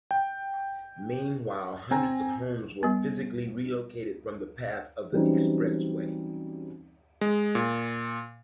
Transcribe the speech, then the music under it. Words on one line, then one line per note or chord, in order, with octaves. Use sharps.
Meanwhile, hundreds of homes were physically relocated from the path of the expressway.
G5
C4 G#5 A#5
G3 B3
E3 F#3 G3 C4 C#4 D#4
G#3
A#2